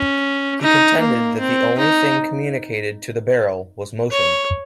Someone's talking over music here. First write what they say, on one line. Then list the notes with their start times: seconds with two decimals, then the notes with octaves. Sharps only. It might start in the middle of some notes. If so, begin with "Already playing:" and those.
He contended that the only thing communicated to the barrel was motion.
Already playing: C#4
0.62 D#4
1.01 A#3
1.40 C4
1.78 D#4
4.11 C#5